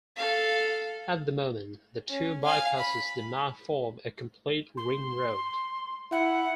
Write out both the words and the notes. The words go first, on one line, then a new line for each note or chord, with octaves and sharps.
At the moment, the two bypasses do not form a complete ring road.
A4 F5
C#4
F5 G#5
B5
C6
E4 F#5